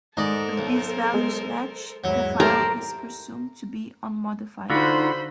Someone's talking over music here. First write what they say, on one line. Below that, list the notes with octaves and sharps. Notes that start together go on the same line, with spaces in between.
If these values match, the file is presumed to be unmodified.
G#2 A4 A#4 C5 D5 D#5
B1
G#3
E2 G#2 F#3 E4
A3 G4 A#4 C5 D5 A5
D3 D#4 F4 F#4 C5 B5